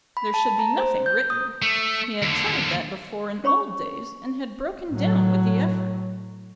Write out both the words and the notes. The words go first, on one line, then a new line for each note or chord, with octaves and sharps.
There should be nothing written; he had tried that before in old days, and had broken down with the effort.
B5
A5
A#5
C5
G6
D#6
A3
D#2 D3
C#4 C#5 B5 C#6
A2 F#3